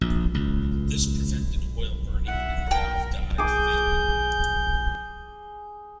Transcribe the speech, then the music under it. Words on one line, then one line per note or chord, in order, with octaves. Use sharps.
This prevented oil burning and valve guide failure.
A#1
C#2
E5 F#5
A#4 G5
G#4 D6 G6